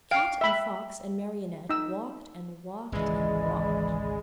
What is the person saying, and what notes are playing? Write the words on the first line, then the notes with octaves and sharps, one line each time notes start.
Cat and Fox and Marionette walked and walked and walked.
F5 G5
E5 B5
D#4 E6
G#1 C#2 E3 G#3 D5 D#5 B5